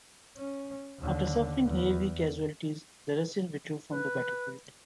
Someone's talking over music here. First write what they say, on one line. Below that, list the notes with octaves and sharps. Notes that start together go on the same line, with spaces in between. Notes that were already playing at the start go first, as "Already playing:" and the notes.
After suffering heavy casualties, the Russians withdrew from the battlefield.
C#4
D#2 D3
E2
B4 F#6